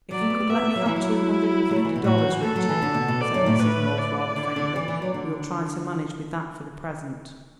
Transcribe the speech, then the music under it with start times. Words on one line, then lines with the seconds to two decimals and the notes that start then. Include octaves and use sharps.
"If you could let me have two hundred and fifty dollars, Richard," said Mrs. North rather faintly, "we'll try to manage with that for the present."
0.11 F#3 D5
0.21 A3
0.30 B3
0.40 A3
0.50 B3 E5
0.63 A3
0.76 F#3
0.86 E3 E4
0.96 F#3
1.71 F#3
1.76 A3
1.85 E3
1.96 B2
2.04 A2 F#4
2.18 F#2
2.30 E3
2.43 A3 A4
2.56 F#3
2.69 E3
2.82 D3
2.94 B2
3.08 B2
3.21 D5
3.34 F#2
3.46 A2
3.59 A2 B4
3.98 D5
4.36 D3
4.56 D3
4.76 E3
4.88 E3
5.02 F#3
5.14 D3